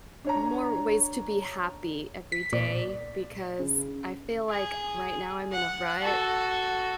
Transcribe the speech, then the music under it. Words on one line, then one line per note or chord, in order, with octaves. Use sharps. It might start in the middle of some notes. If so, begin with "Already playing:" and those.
more ways to be happy every day because I feel like right now I'm in a rut,
D4 C#5 A#5
B6
A#2 D5
C#3
G#4
F#5
F#4 A4